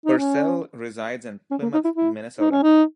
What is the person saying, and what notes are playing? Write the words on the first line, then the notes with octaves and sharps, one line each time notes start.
Purcell resides in Plymouth, Minnesota.
D#4
C#4
C#4
A#3
D#4
E4
E4
D#4
C#4
D#4